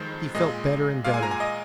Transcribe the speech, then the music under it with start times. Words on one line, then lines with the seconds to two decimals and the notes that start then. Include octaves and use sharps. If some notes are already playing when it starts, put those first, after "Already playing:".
He felt better and better.
Already playing: F2 D#3 G#3 C5
0.35 A#2 G#3 D#5
1.04 A#2 G#3 F5
1.14 G#5
1.23 A#5
1.31 G#5
1.40 D#5